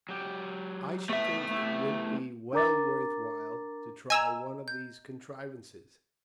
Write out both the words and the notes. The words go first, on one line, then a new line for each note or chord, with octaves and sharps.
I should think it would be well worth while to try one of these contrivances.
F#3 G4
A2 A3 B3 E5
B3 E4 G4
D4 A#4 A#5 D6 A6
D#5 G#5 A#5 E6
G6